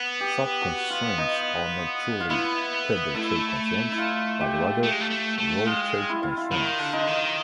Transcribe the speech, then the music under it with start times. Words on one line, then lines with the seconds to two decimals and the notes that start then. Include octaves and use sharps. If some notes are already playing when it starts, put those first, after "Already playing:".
Such constraints are not truly "table check constraints" but rather "row check constraints".
Already playing: B3
0.20 G4
0.61 F#4
0.90 F4
1.18 D#4
2.20 F4
2.30 B3 E4
3.15 A3 E4
3.92 E4
3.98 F4
4.41 G4
4.83 A3
4.91 G#3
5.00 A3
5.11 A3
5.38 A3
5.66 G#3 F4
6.09 E4
6.23 F4
6.37 E4
6.51 D#3 F4
6.78 D3
6.93 D#4
7.07 D#3